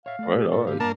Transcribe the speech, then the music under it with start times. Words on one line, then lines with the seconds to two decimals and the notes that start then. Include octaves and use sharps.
Right on.
0.06 C#5 E5 F5
0.19 A3 A4 D5
0.36 G4
0.51 A2 B3 A4 F5
0.67 G#2 G4 F5
0.80 G2 A#3 D4 A5